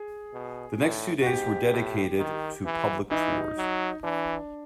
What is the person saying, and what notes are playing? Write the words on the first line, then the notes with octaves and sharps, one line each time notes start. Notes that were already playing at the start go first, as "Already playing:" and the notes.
The next two days were dedicated to public tours.
Already playing: G#4
B2
A2
F#4
G#2 G4
A2
D#3
E3
E3 D#4
F#3
E3 D4